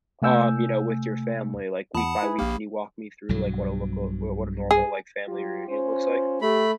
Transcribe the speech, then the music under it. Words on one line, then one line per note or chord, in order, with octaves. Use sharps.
um, you know, with your family, like, week by week? Can you walk me through, like, what a look a what what a normal, like, family reunion looks like?
C3 A3 G#5 E6 G6
E2 F#5 A5 B5 D#6
E4 B4 G#5
A#1 A#3 G4 F5
B1 G2 F#3
G#4
F#3 F4 G4
C#4 F4 C5
A3 G4 B5